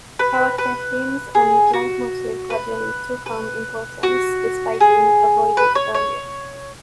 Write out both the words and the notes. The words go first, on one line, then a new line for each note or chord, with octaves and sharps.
Character themes and leitmotifs gradually took on importance, despite being avoided earlier.
B4
B4
G#4
F#4
B4
B4
F#4
G#4
B4
C#5
C#5